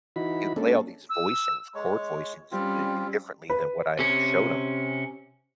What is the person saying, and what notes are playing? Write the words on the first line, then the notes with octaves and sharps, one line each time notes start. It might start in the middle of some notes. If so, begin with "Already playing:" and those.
you'll play all these voicings" chord voicings di differently than what I showed him,
E3 D#4 F#4 B5
G#3 A#3 C#4 D4 A4
E6
G#3 C#5
G3 C4 C#4 F4
B4
C3 C#4